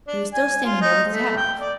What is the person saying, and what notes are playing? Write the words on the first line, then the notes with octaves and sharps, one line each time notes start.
He was still standing there with his hat off.
D4
G#5
F4
D#4
A3
G5
D5